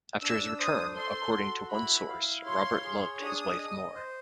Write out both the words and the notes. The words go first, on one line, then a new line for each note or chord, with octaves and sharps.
After his return according to one source Robert loved his wife more.
D4 E6
C5 D#6
A4 C6
F#4
E4 B5
F5
C#5 C6
G#4
D4 D#6
D#5
C5